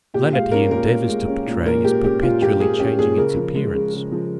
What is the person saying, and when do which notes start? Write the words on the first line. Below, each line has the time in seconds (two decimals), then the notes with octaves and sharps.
The Planet he endeavours to portray is perpetually changing its appearance.
0.14 A#2 G4
0.33 G#3 F5
0.52 C#4 A#4
0.71 A#2 A#4
0.90 A#2
1.08 G#3
1.28 C#4
1.47 A#2
1.66 A#2 A#4
1.85 G#3 G4
2.04 C#4 G4
2.23 A#2 F4
2.42 A#2 G4
2.61 G#3 G#4
2.79 C#4 G4
2.98 A#2 G#4
3.18 C#3 A#4
3.37 F3
3.55 G#3
3.74 C#3
3.94 C#3
4.12 F3